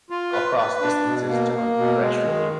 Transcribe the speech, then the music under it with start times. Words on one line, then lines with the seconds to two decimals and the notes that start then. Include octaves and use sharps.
across distances to an thresh really.
0.10 F4
0.33 B4
0.58 B4
0.81 D4
1.04 B2
1.29 A#3
1.52 A#3
1.76 B2
2.00 G#3
2.23 D#3